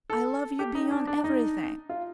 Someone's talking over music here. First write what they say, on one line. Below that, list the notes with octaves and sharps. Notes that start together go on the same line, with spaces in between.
I love you beyond everything....
A4
G4
D#4
D4
D4
D#4
F4